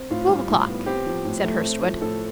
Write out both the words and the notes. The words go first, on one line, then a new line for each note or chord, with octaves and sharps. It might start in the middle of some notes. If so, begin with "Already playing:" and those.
"Twelve o'clock," said Hurstwood.
Already playing: C4
A2 F4
G3
A2
B3
C4 G4
F3
A2
A3
C4
F3
A2 A4